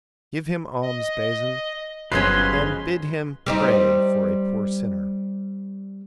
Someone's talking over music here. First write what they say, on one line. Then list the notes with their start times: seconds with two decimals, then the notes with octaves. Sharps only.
"Give him alms, Bazin, and bid him pray for a poor sinner."
0.83 D#5
2.12 G1 F3 F#3 G#3 C#4 B4 C6
3.46 G3 C4 D#4